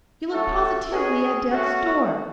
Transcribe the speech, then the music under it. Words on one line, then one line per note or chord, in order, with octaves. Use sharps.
You look positively at death's door.'
F#3 A3 C#4 F#4 A4
B2 F#3 C#4 G#4
A3 C#4 F#4